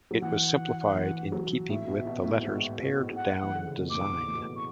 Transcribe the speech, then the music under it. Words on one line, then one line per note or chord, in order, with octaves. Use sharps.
It was simplified in keeping with the letter's pared-down design.
F#3
E3 F#5
E3
F#3
A2 E5
B2
B2
A2
G#2
F#5
E3
D3
C#3
B2
A2 D6
A2
B2
A2
C#6